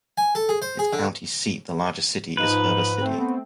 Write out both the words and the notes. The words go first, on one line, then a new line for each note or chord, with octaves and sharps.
Its county seat and largest city is Heber City.
G#5
A4
G#4
C5
G#4
D3
G#2 F3 D#4 B4
A3 C4
B3